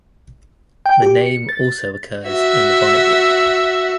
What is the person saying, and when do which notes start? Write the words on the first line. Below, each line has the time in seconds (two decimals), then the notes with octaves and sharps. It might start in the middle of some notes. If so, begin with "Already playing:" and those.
The name also occurs in the Bible.
0.86 G5
1.02 G4
1.26 C#7
1.49 A6
2.27 F#4 E5